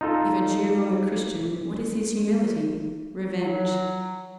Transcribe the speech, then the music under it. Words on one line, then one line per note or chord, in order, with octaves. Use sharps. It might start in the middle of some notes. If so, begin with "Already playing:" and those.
If a Jew wrong a Christian, what is his humility?--Revenge.
D#4 F4 A4
F#3